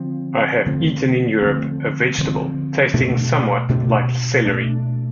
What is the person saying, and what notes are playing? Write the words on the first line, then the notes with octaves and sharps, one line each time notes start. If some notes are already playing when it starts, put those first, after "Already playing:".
I have eaten in Europe a vegetable tasting somewhat like celery.
Already playing: D3 F3 C4
D3 F3 A3 C4
D3 F3 A3 C4
D3 F3 A3 C4
B2 A3 D4
B2 A3 D4
B2 A3 D4